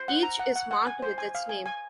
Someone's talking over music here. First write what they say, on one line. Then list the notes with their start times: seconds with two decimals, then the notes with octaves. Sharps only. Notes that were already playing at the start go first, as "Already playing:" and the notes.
Each is marked with its name.
Already playing: C5
0.08 F#5
0.23 A#5
0.39 F#5
0.56 F#5
0.71 F#5
0.87 G#5
1.02 C5
1.18 G#5
1.35 F5
1.49 G#5
1.66 G#5